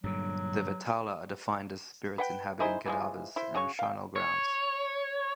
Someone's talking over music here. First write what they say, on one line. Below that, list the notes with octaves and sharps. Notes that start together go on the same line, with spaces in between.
The vetala are defined as spirits inhabiting cadavers and charnel grounds.
G2 A#2 D3 F#3
B4 F#5 G5
D#4 E4 G#4 C5
E3 F3 G#3
E4 C5
C#3 F#4 C#5 C#6
F5 G5
C#5